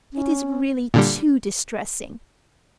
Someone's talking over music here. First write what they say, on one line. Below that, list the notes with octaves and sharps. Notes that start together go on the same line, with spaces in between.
It is really too distressing.
C#4
A#2 D3 G3